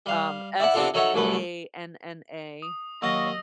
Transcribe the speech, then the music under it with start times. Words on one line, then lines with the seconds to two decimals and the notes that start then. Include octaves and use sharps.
um, S-A-N-N-A
0.06 G3 F5
0.60 E4 D5 E5 F#5
0.74 C3 B3 C4 D4 F4 A4
0.94 F#3 D#4 A4 C#5 E5 F#5
1.14 C2 F#2 A3 B4
2.62 D#6
3.02 D#2 F#3 D#5 F5 C#6 E6 A#6